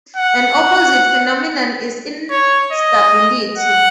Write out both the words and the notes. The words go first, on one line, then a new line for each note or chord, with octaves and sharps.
An opposite phenomenon is instability.
F#5
C#5
D#5
F#5